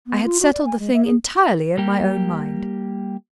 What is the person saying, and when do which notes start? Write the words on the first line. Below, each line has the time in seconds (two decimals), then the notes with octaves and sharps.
I had settled the thing entirely in my own mind.'
0.07 B3
0.25 F4
0.40 F#4
0.53 D5
0.65 G#5
0.79 G#3
0.94 E5
1.05 G#4
1.77 G3 A#3 G4